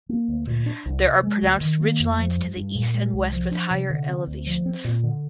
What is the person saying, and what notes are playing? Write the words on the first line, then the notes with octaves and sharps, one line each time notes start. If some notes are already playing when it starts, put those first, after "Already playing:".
There are pronounced ridgelines to the east and west with higher elevations.
A#3
D2
A#2
D4
C2
C3
G#3
D2
D#3
A#3
F2
F3
G2
G2
A#2
G#3
C2
F3
D4
C3
D3
C4
D2
F3
C4
A#2
D3